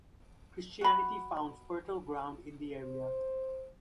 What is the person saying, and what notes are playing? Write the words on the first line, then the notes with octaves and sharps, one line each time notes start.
Christianity found fertile ground in the area.
F#4 B5
C5